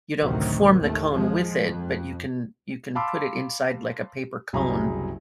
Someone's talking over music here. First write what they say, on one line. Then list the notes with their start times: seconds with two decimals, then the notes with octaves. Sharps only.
You don't form the cone with it, but you can you can put it inside like a paper cone
0.22 A1 D2 C3 D#3 F#3
0.78 D#2 A3
1.12 F3 G#3
1.63 F2
2.95 F5 A5 B5 C6 D6 E6
4.53 F#1 C2 F#3 G#4 A#5 B5